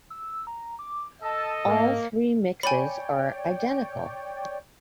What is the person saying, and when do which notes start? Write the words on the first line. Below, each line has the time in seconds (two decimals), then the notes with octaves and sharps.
All three mixes are identical.
0.10 E6
0.47 A#5
0.79 D6
1.22 A4 D#5 A5 E6
1.65 G#2 A#3
2.63 C#5 D5 G5 G#5 B5